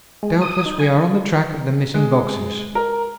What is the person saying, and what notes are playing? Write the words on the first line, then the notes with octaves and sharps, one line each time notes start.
Doubtless we are on the track of the missing boxes.
G#3
D#6
D#4
G#5
G#3
A#4